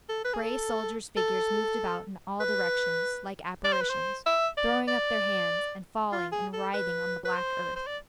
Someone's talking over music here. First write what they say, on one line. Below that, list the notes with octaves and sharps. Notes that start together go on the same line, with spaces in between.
Grey soldiers' figures moved about in all directions like apparitions, throwing up their hands and falling and writhing on the black earth.
A4
B4
G#4
A4
A4
B4
D5
C5
B4
C5
E5
D5
D5
F4
G#4
A4
B4
B4
C5
C5
D5